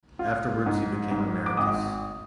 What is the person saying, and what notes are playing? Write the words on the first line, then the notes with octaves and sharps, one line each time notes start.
Afterwards he became emeritus.
F4
G#2
G#2
D6
G#1 D#6